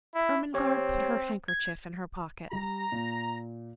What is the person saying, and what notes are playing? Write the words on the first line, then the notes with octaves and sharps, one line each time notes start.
Ermengarde put her handkerchief in her pocket.
E4
C4 G4 C#5
G#6
G3 G4 A#5
A#2